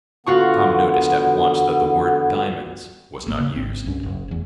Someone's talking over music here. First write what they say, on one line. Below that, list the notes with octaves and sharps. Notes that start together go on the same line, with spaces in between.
Tom noticed at once that the word "diamonds" was not used.
D3 B3 F4 F#4 C#6
A1 A#3
C#3
G#1 C4
C2 G2 C#4
F#1
F1 E2